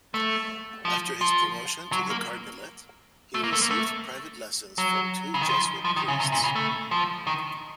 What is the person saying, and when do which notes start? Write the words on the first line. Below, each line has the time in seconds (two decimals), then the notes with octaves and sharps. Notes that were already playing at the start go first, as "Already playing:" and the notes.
After his promotion to the cardinalate, he received private lessons from two Jesuit priests.
0.14 A3
0.85 F3
1.21 F3
1.92 F#3
2.10 A#3
3.34 A3
3.44 A#3
3.53 A3
3.62 A#3
3.71 A3
4.78 F#3
5.34 C#3
5.41 D#3
5.49 F3
5.85 F3
5.96 D#3
6.08 C#3
6.20 C3
6.32 A#2
6.44 C#3
6.55 A3
6.91 F3
7.27 D#3